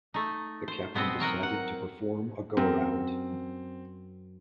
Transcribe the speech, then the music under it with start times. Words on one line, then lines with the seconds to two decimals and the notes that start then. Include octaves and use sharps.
The Captain decided to perform a go-around.
0.14 A3 D#4
0.68 C5
0.94 B2 B3 C4 C5 D#5
1.20 F#3 A#4 D#5 F#5
1.43 F#5
2.57 F#2 C4